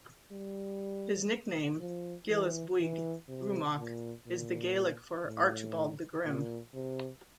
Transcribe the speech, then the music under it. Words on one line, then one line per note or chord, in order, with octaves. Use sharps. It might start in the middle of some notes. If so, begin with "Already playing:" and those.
His nickname, "Gillesbuig Grumach" is the Gaelic for "Archibald the Grim".
G3
F3
E3
E3
C3
A#2
A#2
A2
A#2
C3